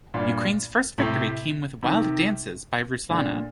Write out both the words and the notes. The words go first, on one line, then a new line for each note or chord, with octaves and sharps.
Ukraine's first victory came in with "Wild Dances" by Ruslana.
G2 A#2
A2 C3
C3 D#3
A#2 D3